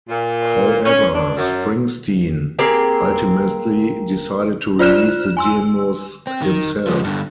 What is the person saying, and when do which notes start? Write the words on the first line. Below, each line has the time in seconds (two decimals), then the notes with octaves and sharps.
However, Springsteen ultimately decided to release the demos himself.
0.08 A#2
0.85 C#4
1.14 D4
1.36 F#2
2.59 A#3 C4 G4 G#4
4.79 F4 C5 D5 F6 F#6 E7
5.37 G#5 C6 E6
6.27 C4
6.42 D#3
6.87 F3 G#3
7.04 G2 D3